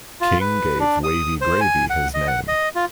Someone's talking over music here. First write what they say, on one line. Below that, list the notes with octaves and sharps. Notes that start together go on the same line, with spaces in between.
King gave Wavy Gravy his name.
F4
B4
D4
D#6
C5
G#5
F#5
D#5
F#5
D#5
F4